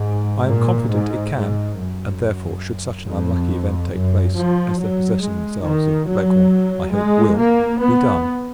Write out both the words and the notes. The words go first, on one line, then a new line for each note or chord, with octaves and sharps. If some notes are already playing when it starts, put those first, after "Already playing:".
I am confident, it can--and, therefore, should such an unlucky event take place, as their possessing themselves of Leghorn, I hope, will--be done.
Already playing: G#2
A#2
G#2
G#2
F#2
F2
F#2
F3
F#3
G#3
D#3
F#3
G#3
A#3
B3